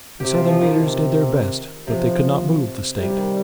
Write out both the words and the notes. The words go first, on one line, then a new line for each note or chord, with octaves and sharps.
"The Southern leaders did their best, but they could not move the state."
C3 G4
F4
F3
D#3
C3
C3 F3
C3 G3
D#3